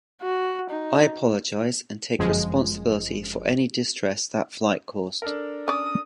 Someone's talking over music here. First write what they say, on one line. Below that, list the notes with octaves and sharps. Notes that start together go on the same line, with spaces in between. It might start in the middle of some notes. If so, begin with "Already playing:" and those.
I apologize and take responsibility for any distress that flight caused.
F#4
D#4
G1 F#2 F3 G#3
D4 A4 A#4
C#4 D5 D#6